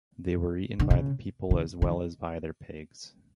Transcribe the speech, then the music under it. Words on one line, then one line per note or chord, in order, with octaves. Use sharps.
They were eaten by the people as well as by their pigs.
D3
C#3
D3
D#3